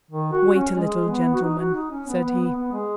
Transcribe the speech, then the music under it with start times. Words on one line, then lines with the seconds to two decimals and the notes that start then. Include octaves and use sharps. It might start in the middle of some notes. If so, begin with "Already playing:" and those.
"Wait a little, gentlemen," said he.
0.11 D#3
0.32 F#4
0.54 C#4
0.76 G#3
1.08 B3
1.34 F#4
1.42 D#4
1.58 F#4
1.74 D#4
1.91 C#4
2.07 B3
2.24 B3
2.39 B3
2.56 B3
2.72 G#3